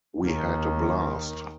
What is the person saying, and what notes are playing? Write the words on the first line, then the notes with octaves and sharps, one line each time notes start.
We had a blast!
D#2 D#3